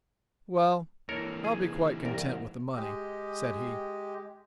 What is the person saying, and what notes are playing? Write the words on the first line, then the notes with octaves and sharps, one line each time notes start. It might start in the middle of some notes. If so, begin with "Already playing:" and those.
"Well, I'll be quite content with the money," said he.
E3 A#3 A4 A#4 C#5
G#4
C2 A#4
G#3 G4 D#5